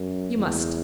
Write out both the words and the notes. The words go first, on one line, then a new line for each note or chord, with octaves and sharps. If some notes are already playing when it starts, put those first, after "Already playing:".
You must.
Already playing: F#2
E2